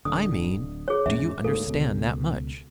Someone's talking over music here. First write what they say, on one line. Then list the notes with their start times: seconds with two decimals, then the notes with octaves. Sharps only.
"I mean, do you understand that much?"
0.05 D1 D3 D#6
0.88 G#4 C#5
1.06 E2 G#2 C#4 E5
1.44 D2 G#2 A#3 A4
1.67 C#2 B2